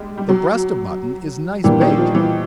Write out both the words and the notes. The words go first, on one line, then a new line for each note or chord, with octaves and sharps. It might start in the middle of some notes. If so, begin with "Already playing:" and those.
The breast of mutton is nice baked.
Already playing: G3 G#3
G3
F#3
A#2 E3 G3 A#3 D4 G4
D#3
F3
E3